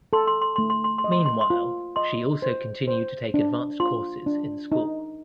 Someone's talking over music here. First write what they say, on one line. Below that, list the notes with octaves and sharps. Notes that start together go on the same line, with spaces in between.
Meanwhile, she also continued to take advanced courses in school.
A4 C6
C6
C6
C6
A3
C6
C6
C6
D#5
C6
C6
C6
F4
D#5 C6
C5
C5
D4
F4 C6
D4
D#4